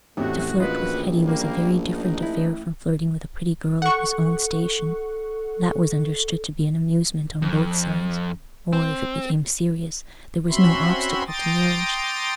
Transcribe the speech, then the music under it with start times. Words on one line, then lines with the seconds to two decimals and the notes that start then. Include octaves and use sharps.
To flirt with Hetty was a very different affair from flirting with a pretty girl of his own station: that was understood to be an amusement on both sides, or, if it became serious, there was no obstacle to marriage.
0.17 A1 E2 A2 C3 A3 F#4
0.60 A#1 F4 F#4 B4 D#5
1.25 G3 A#3
1.92 D4 D#4
2.23 E4
3.82 A4 F#5 C#6
7.42 F2
8.73 C4
10.49 C4 C#4 F#4 E5 B5 C6
11.27 G5 A#5 C6 D6 D#6 A6